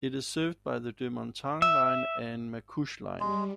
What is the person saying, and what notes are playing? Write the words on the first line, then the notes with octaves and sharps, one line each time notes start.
It is served by the Deux-Montagnes line and Mascouche line.
E5
G3 G#3